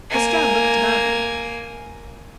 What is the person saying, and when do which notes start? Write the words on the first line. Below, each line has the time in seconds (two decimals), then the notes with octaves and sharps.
Lestrade looked about him.
0.10 A#3 G#5